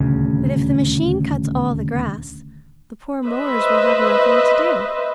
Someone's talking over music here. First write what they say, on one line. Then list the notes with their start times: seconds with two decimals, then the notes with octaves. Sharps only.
But if the machine cuts all the grass, the poor mowers will have nothing to do.
0.01 D#1 D2 C#3
3.26 B4 C5 D#5 E5